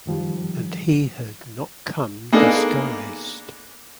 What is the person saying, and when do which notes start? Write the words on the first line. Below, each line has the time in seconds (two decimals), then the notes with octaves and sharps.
And he had not come disguised.
0.06 F#2 D#3 F3 G3
2.32 A#3 B3 D4 D#4 G#4 A4